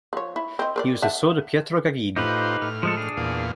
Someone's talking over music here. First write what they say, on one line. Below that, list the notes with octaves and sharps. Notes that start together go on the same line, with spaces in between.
He was the son of Pietro Gagini.
F3 C#5
E4
C4 D#5
A#4 C5 D5
E5 F#5 A5
A2 D#4 F4 G4 B4 C5
A2 F6
F3 G#3 A4
D4 G#4
E2 A#2 F5